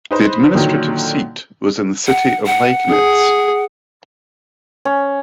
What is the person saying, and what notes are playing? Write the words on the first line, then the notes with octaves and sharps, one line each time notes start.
The administrative seat was in the city of Liegnitz.
D#4 B4 C5
A#2 D3 D#3 F#3
F#5
F#5
G#4
C#4